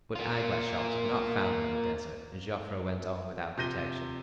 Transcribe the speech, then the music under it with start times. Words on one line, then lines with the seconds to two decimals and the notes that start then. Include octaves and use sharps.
But eyeglass shops are not found in the desert, and Joffre went on without protection.
0.16 A#3 F4
3.58 C3 F3 G6 A#6 D#7 G7